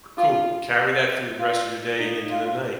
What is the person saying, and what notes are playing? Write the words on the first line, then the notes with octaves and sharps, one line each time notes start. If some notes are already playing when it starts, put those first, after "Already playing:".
Cool, carry that through the rest of your day and into the night,
F4
F4
D#4
F4